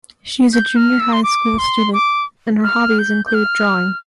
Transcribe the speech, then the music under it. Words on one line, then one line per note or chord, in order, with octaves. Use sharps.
She is junior high school student and her hobbies include drawing.
G6
F6
E6
C6
D6
C6
D6
F6
G6
G6
F6